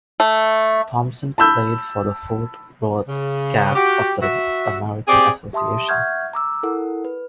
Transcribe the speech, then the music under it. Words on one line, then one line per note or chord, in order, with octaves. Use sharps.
Thompson played for the Fort Worth Cats of the American Association.
A3
A5 B5 E6 G6
C#3
F#4 G4
F#4 E5
C4 G4 G#4 D5
G4 E5 A5 C6 D#6
E5 F#5 C#6 F6 G6 G#6
A#5 D6 E6
E4 A4 A#4 F#5
B4